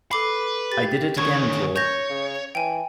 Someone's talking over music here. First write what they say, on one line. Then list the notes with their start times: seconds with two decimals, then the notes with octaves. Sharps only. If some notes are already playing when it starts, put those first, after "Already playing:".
I Did It Again Tour.
0.11 A4 B4 D6 C7
0.72 G4 A6
1.17 D3 D#3 C#4 C#6 G#6
1.76 C#5 G6 G#6 A#6
2.10 C#3
2.55 E3 G5 G#5